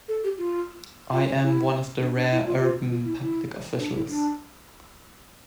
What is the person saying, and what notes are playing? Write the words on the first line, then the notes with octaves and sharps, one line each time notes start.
I am one of the rare urban public officials.
A4
G4
F4
F4
E4
D4
D4
E4
F4
F4
F4
E4
E4
D4
E4
D4